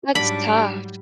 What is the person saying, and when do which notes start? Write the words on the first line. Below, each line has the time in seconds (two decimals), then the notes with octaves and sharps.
that's tough.
0.15 G#2 F#3 G3 D4 B5